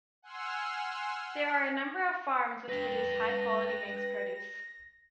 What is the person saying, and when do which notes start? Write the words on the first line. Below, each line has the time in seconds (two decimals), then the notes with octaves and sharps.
There are a number of farms which produce high quality Manx produce.
0.22 F#5 G#5 C6 E6 F6
2.69 B4 G5 A#6